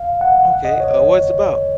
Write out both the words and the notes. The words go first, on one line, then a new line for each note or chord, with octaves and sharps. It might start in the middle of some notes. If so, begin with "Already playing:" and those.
Okay, uh, what it's about?
Already playing: F5
F#5
D#5
C#5